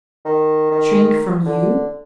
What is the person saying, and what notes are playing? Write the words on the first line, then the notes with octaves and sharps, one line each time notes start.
"Shrink from YOU?"
D#3
D#3
D3